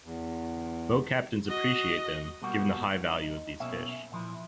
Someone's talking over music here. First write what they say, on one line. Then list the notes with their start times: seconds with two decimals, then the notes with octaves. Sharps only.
Boat captains appreciate them, given the high value of these fish.
0.04 E2
1.47 F#4 D#5
2.42 B2 G3 A#3 F#4
3.05 D#4
3.60 B1 B2 A#3 C#4 E5
4.12 A#2 F3 E4